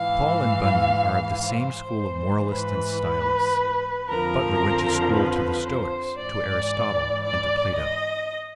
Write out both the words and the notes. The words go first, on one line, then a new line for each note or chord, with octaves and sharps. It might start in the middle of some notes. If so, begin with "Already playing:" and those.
Paul and Bunyan are of the same school of moralists and stylists; Butler went to school to the Stoics, to Aristotle, and to Plato.
Already playing: G#2 E3 F5
C5
G#2 E3
B4
F2 D3 F3 A#4
B4
C5
G#2 E3 D5
D5
D#5